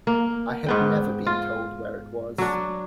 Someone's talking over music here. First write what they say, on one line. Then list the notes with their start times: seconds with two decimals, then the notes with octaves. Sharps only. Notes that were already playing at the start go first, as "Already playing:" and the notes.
I had never been told where it was.
0.07 A#3
0.66 G#2 B3 G5
1.26 F4
2.38 F#3 D4